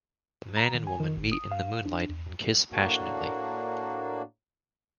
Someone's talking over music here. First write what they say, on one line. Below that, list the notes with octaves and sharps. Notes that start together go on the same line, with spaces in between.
The man and woman meet in the moonlight and kiss passionately.
A#5
D#3
G#5
D#3
G1
D#6
F5
D4
E2
A2 A#3 D4 F#4